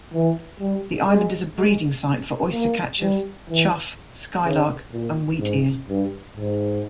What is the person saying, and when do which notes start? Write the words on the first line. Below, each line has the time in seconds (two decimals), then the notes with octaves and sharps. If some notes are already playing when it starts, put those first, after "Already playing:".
The island is a breeding site for oystercatchers, chough, skylark and wheatear.
0.13 E3
0.60 G3
1.08 G#3
1.57 G#3
2.52 A#3
3.01 G3
3.49 E3
4.44 C#3
4.93 A#2
5.40 G#2
5.88 G2
6.36 G#2